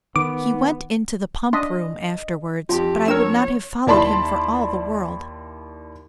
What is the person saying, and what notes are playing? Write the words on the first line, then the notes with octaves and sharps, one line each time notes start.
He went into the pump-room afterwards; but I would not have followed him for all the world.
D#3 B3 D6
D4 D#5 C6 B6
F2 F3 F4 G4
D4 A#4 C#5 G5 E6 F6
D#2 E4 D5 A5 B5 C6